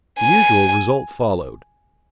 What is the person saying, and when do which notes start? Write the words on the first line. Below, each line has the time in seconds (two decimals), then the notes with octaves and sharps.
The usual result followed.
0.20 G#5